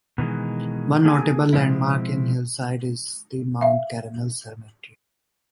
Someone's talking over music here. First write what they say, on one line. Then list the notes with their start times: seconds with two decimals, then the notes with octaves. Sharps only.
One notable landmark in Hillside is the Mount Carmel Cemetery.
0.18 B2 D#3 E3 G#3
1.05 A#3 D4 G#4 A#4 F5 G#5
1.53 B2 F3 G#3 C4 E4
3.61 E5 F5